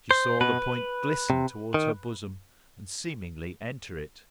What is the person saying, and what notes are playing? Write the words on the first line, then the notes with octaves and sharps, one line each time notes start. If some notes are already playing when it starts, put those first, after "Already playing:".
She saw the point glisten towards her bosom, and seemingly enter it.
C5
B2 B4
C3
D#3